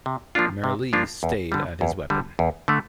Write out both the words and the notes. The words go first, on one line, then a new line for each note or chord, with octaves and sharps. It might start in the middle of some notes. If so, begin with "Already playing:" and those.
Merli stayed at his weapon.
C3
F3 A#3 D4 F4
C3
F3 A#3 D4 F4
E2
D3 G3
E2
D3 G3
E2
D3 A3